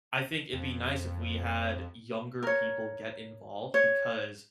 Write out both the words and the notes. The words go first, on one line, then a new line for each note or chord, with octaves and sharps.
I think it'd be nice if we had younger people get involved because
F2
A#4 C#5
C#5